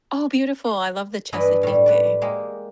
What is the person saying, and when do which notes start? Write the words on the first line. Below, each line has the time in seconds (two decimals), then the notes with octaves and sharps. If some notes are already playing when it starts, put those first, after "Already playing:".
Oh, beautiful. I love the Chesapeake Bay.
1.33 G2 E3 E4 B4 D5 D#5
1.63 A2 G3
1.86 B4 D5
2.22 G#3 A#3 G4